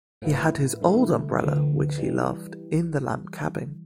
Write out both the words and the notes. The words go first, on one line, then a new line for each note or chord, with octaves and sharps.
He had his old umbrella, which he loved, in the lamp cabin.
A2 F3 B3 E4
G2 D3 A3 E4
D2 D3 F3 B3
E3 G3